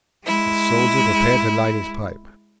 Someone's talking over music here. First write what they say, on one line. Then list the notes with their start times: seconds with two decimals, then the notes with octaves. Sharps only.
The soldier prepared to light his pipe.
0.23 G#3 E4